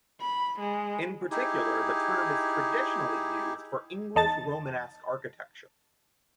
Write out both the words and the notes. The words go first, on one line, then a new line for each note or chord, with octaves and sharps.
In particular the term is traditionally used for English Romanesque architecture.
B5
G#3
D#4 E4 G4 G#4
E2 D#4 A5 A6